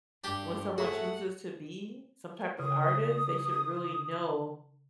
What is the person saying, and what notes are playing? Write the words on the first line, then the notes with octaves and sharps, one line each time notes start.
when someone chooses to be some type of artist, they should really know
G2 D4 G4
A2 A3 F#4 G#4 E5 F#5
C#3 D#6